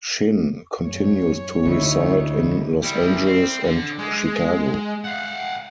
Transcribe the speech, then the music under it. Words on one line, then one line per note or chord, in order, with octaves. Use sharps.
Shin continues to reside in Los Angeles and Chicago.
F#2 C#5
D2 D3 D#4 E4
G3 E4
C4
D3
G#3
F5 F#5